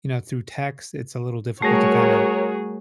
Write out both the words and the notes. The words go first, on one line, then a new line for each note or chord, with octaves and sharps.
you know, through text, it's a little difficult to kinda,
G3 A3 F#4 G#4 A#4 C#5